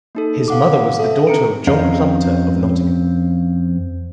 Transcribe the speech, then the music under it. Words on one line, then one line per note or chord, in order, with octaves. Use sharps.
His mother was the daughter of John Plumptre of Nottingham.
A#3 D#4 A4
F5 F#5 D6
A4 E5
C4 A#5 C#7 D7
F2 C4 C#4 D#5 F5 A#5